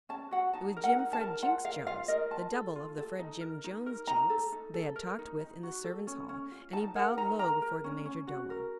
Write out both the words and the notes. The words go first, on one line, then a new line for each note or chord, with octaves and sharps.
It was Jimfred Jinksjones, the double of the Fredjim Jonesjinks they had talked with in the servants' hall, and he bowed low before the Majordomo.
C#4 A5
F#4 F#5
D#4 A5
A#4
F#5
D#4
A5
A#4
F4 F#5
A#4 F5
F4 F5
A#4 D#5
F4 A5
A4
F4
A4
D#4
A#4
D#4
A#4
D#4 A#5
A4
D#4
A4
A#4
D#4
D#4
F#4
A4
C#4
C#4
F4
D#4 A5
A#4 F#5
D#4 A#5
A#4 A#5
A#4
C#4
C#4
F#4
A#4